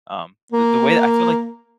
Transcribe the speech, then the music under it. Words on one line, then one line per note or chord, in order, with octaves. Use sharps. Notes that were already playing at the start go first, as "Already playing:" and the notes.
um, the the way I feel like,
A#3